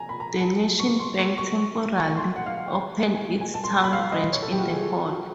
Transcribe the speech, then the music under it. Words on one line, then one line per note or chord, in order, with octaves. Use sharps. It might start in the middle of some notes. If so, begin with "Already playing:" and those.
The National Bank temporarily opened its town branch in the hall.
Already playing: G#5 A#5
B5
A#5
A5
C#6
C6
C#6
C#6
C#6
C6
F#5
F5
F#5
G5
G#5
G#5
A5
C6
C6
B5
F5
D#5
C#5
A4
G4
F#4
F4
G#4
F#4